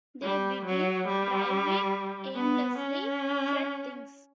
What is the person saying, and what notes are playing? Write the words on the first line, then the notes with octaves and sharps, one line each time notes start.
They begin driving, aimlessly Fred thinks.
G3
F#3
G3
B3
C#4